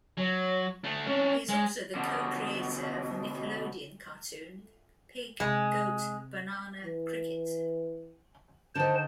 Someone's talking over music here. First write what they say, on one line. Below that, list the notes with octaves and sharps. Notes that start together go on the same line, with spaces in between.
He is also the co-creator of the Nickelodeon cartoon "Pig Goat Banana Cricket".
F#3
A3 D4
C#4 D4
G#3
B2 D3
C3 G#3
E3
D3 D#3 C5 A5